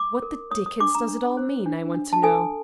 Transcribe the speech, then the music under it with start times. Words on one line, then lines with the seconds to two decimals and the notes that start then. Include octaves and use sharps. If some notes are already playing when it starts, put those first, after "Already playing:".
What the dickens does it all mean, I want to know?
Already playing: D6
0.22 A#4
0.51 C#5 D#6
0.66 D#6
0.80 D4 D6
0.95 A#5
1.08 D4
1.37 C5
1.66 D4
1.95 D4
2.13 A5
2.23 A4 G#5